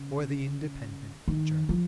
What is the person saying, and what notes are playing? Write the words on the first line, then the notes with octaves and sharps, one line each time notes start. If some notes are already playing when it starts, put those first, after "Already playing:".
For the Independent Journal.
Already playing: C#3
D#3
F3